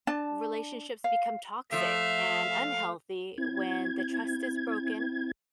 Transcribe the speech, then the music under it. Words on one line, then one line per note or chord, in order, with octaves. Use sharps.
relationships become toxic and unhealthy when the trust is broken,
D4 A5
F5
F3 A3 E5 F5
C4 E4 G#6